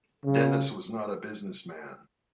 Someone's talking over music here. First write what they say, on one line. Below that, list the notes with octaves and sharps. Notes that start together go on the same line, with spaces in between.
Dennis was not a business man.
C#3